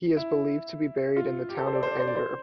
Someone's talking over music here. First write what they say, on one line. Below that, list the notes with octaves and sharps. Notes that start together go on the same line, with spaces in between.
He is believed to be buried in the town of Enger.
E4
F4
G4
A4
C5
D5
C5
D5
C5
D5
C5